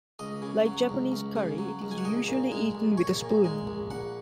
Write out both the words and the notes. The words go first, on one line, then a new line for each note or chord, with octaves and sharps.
Like Japanese curry, it is usually eaten with a spoon.
C#2 D#5
C#3
F#3
C#2
C#2
C#3
F#3
C#2
G#5
F#5
A#1 D#5
A#2
G#3
A#1
A#1 C#5
A#2
G#3
A#1
A#1 F#5